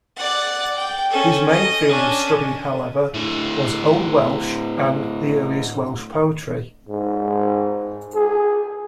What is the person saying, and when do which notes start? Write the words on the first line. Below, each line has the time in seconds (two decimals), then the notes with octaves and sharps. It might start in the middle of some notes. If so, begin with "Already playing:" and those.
His main field of study however was Old Welsh and the earliest Welsh Poetry.
0.16 D5 F#5
0.76 G5
1.10 C#4 A4
1.49 D#5
1.89 C#4 D4
3.14 A2 D3
6.89 G#2
8.15 G#4